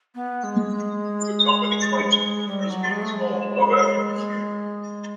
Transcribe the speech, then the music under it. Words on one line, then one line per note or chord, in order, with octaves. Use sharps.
The company claims to be Brisbane's home of Avenue Q.
B3
G#3
G3
F#3
G#3
A3
G#3